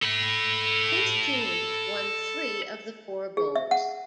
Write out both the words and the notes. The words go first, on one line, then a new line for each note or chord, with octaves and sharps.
His teams won three of the four bowls.
A4 B5
G#4
E5
F#5